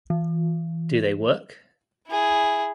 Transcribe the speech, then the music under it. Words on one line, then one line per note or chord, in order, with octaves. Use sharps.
Do They Work?
E3
E4 G#4